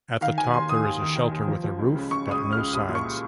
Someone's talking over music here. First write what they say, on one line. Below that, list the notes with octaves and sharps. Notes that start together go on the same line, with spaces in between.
At the top there is a shelter with a roof but no sides.
D#3 F5
D#3 G#5
D#2 C6
D#3 D#6
D#2
D#3
D#3
D#2
F3
F3
C#2
C#3
C#3 C#6
C#2 D#6
C#2
F6
C#2
C2 D#6
A#2
C#6